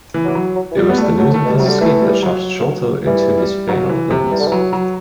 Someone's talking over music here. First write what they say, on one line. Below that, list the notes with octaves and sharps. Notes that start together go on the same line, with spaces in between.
It was the news of his escape that shocked Sholto into his fatal illness.
E3
E3 F#3
F#3
F#3
E3
G3
F#3 B3
G3 A3
F#3 A3
A2 A3
B2 G3
C3 F#3
D3 G3
E3 A3
G3
F#3
E3 G3
G3
F#3
E3
C3
E3 G3
D3
E3 F#3
F#3